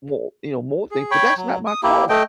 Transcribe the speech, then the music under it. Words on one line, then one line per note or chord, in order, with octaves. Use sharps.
mor you know, more things, but that's not my call
G#4
C#5 G5 B5 C#6
F#3
D#6
A#3 E4 G4
A3 D#5 G5